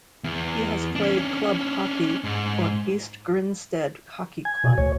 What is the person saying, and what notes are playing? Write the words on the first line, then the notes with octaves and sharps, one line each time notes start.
He has played club hockey for East Grinstead Hockey Club.
E2
C#4 D4
G#2
G#5
B2
D2 C#5